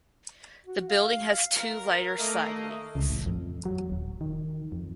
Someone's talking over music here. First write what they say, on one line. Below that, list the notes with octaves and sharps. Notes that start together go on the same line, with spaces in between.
The building has two lighter side wings.
F#4
F5
A#4
A3 A#4 D#5 F5
C#2
A1
F2
F#3
D#1
D#3
F2